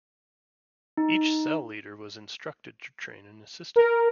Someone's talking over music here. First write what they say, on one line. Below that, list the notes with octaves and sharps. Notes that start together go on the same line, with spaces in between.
Each cell leader was instructed to train an assistant.
D#4
A#4